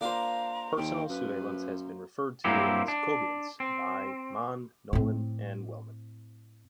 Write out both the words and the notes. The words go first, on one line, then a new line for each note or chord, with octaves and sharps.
"Personal sousveillance" has been referred to as "coveillance" by Mann, Nolan and Wellman.
A#3 D4 F4 C5 A#5
D#2 G5
F#2 B4
G2 F#3 A#3 C4 E4 G4
D4
C4
A2 C4